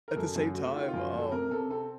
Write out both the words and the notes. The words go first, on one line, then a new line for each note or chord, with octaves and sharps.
at the same time, um,
A#4
F#2 A4
F#2 F#4
A3 F#4
D#3 F4
F#2 F4
F#4
F#2 A4
C3 A#4
C3 A4
C4 A4